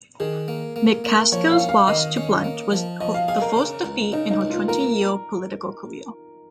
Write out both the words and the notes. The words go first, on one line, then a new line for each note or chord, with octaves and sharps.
McCaskill's loss to Blunt was the first defeat in her twenty-year political career.
D#3 G#4
A#3
A#3
A#3
F3 C#5
F5
C#4
F5
D#3 D#5
C#4
A#3
F3
F3 D#5
F5
G#4 F5
A#4
C#3
C#2
C#3 D#4
D#4
C#2
F4
A#3 A#4